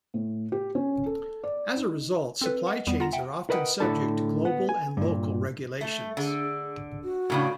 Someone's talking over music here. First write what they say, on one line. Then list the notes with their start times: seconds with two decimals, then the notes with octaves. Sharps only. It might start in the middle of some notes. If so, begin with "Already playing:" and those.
As a result, supply chains are often subject to global and local regulations.
0.14 A2
0.52 G4
0.75 C#4
1.06 A4
1.44 D5
1.76 D#4
2.41 C4 A4 B4
2.67 D#5 F#5
2.87 E2 G3 B3
3.00 F4 F#5 A#5 A#6
3.13 E5 F#5 G5
3.50 A#4 B4 D#5 E5 F#5 G5
3.80 A2 D3 D#4 E4 A4 A5
4.45 B3 F#5
4.69 G#5
4.97 G2 A#2
5.81 A3
6.17 D3 G#4
7.04 F#4
7.30 A2 C#3 D4